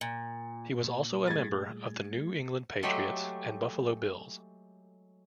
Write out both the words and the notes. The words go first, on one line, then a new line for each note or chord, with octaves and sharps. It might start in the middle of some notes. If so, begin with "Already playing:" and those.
He was also a member of the New England Patriots and Buffalo Bills.
A#2
A#2
G3 A3 G#4 G#6 A6
F#3 G#3 A3 G4 A4